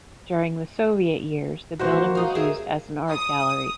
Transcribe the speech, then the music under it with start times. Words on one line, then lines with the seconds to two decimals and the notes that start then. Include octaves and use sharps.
During the Soviet years, the building was used as an art gallery.
1.79 D#3 E3 A#3 F#4 C5
2.15 D#4 F5
2.35 G#4 A#4 E5
3.10 D#6